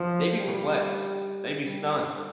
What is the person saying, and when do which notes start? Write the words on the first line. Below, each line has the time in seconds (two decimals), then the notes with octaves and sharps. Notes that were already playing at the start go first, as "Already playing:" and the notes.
they'd be perplexed. They'd be stunned.
Already playing: F3
0.38 G3
1.64 G3